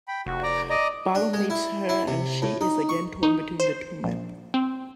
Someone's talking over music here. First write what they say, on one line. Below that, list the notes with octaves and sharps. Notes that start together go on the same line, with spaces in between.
Barlow meets her and she is again torn between the two men.
G5 B5
F1 F#4
D5 A#5
D5 D#5 A#5
D4
G#3
E4
E4
C3
A2
D#4
C#6
D#4
C5
A#1
C4